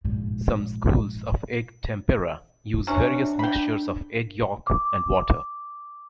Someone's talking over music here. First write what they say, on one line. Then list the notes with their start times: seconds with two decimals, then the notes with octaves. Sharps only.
Some schools of egg tempera use various mixtures of egg yolk and water.
0.04 A#1 G#2
2.87 C3 C#4 D4 F#4
3.39 G5 B5
4.67 D6